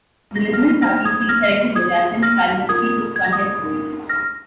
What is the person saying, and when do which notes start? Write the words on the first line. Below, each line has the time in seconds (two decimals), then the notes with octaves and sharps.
The Liberal Party preselected Jason Falinski to contest the seat.
0.36 A#6
0.53 F6 A#6
0.82 D#4 C5 F6 A#6
1.05 D#6 G#6
1.21 G#6
1.29 F6 A#6
1.75 F4 G#4 C5 D#6 G#6
2.23 F6 A#6
2.69 F4 A#4 D#6 G#6
3.16 G#6
3.25 A#6
3.32 D#6 G#6
3.63 D#4 A#4
4.09 F6 A#6